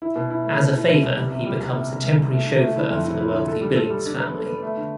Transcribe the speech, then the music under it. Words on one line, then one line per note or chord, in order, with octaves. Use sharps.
As a favor, he becomes a temporary chauffeur for the wealthy Billings family.
E4
B2
E4
A3
B2
E4
B2
C2
G3
C3
G3
C2
C3
C3
C2
C2
A3
D3
A3
E4
F2
E4
E4
D3
A4
G3
A4
G3
D4
B3
A4
B3
A3
D3